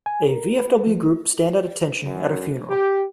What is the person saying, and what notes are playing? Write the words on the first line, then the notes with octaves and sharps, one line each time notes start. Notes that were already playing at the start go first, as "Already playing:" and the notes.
A VFW group stand at attention at a funeral.
G#5
A#4
B4
F3
F#2
G4